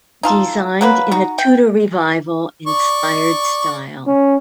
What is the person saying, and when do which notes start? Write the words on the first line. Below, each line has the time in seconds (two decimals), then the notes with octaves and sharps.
Designed in a Tudor revival inspired style.
0.23 D#4 F4 A4
0.81 F#3 A#3 B4
1.11 D#4 F#4
1.38 G5
2.67 D5 C#6
4.07 C#4